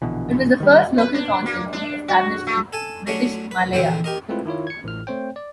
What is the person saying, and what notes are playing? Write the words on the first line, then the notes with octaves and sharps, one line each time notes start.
It was the first local council to be established in British Malaya.
A#1 B2 D3 E3
D#3 G3
B4
D4
A#3
D4
F#4
A3
A4 G#5 A5
F#3 A3 C#4 D4 F#4 F#5
B4
A#1 F2 D3 E3 C4 C5
G4 A#4 D#5
G#3 A3 C4 E4 F4 B4
D#3 E4 F4 C#5
G#6 C#7
A1 A2 F6
A3 C4 C5 C#5 G5
D5